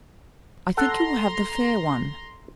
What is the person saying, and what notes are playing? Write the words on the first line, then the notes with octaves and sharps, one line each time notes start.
I think you will have the fair one.
A4 F#5 A#5 C6